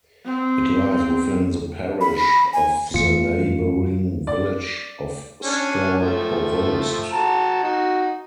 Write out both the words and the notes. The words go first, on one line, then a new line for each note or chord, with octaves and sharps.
It lies within the parish of the neighbouring village of Stour Provost.
C4
B5
G#5
F2 E3 A3 F4 C#7
D5
C#4 D4
F3 A3
F#4 A5 A#5
D#4 F#4